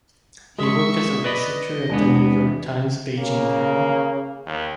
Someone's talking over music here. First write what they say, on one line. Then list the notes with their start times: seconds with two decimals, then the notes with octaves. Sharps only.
He worked as a researcher at "The New York Times" Beijing bureau.
0.59 G#3 G#4 E5 C#6
1.24 B4 D5 D#5 B5
1.89 E2 G#3 B3 D4
3.18 C#3 A#3
4.46 D#2